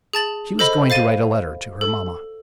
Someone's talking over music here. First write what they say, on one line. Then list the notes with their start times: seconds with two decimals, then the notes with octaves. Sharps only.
She was going to write a letter to her mamma.
0.13 G#4 A5 A6 F#7
0.59 A4 C5 D#5 B5
0.90 C5 F5 A6 D#7
1.81 A4